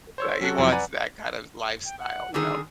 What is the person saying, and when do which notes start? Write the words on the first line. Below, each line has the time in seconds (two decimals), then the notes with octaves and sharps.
Like, he wants that kind of lifestyle, you know?
0.18 C5 C#5 E6
0.41 F#3 C#4 F#4 A4 F#6
0.58 F2 C3 F3 F#3 C4 E4
0.72 B4 D5 F#5 G#5 A#5 B5
1.85 G5
1.99 F#5
2.34 D3 D#3 G#4 E6